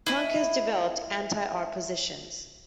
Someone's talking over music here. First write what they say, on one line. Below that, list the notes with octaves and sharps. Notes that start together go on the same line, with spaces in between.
Punk has developed anti-art positions.
E4 D#5